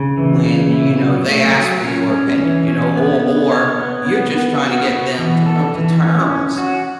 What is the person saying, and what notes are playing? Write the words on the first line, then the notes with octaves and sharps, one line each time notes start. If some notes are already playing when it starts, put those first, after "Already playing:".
when, you know, they ask for your opinion, you know, or or you're just trying to get them to come to terms,
Already playing: C#3
E3
C#3
E4
F#3
A3
F#3
C#4
C#4
E3
C#4
B3
B3
C#5
B3
B3
B3
F#4
B3
E3
A4
E3
C#4
C#4
F#4